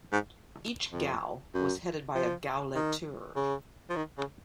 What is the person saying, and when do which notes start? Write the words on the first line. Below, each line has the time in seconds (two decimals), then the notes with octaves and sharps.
Each "Gau" was headed by a "Gauleiter".
0.12 G#2
0.92 F2
1.54 F#2
2.15 F3
2.75 D#3
3.36 C#3
3.90 F3
3.96 D#3
4.18 C#3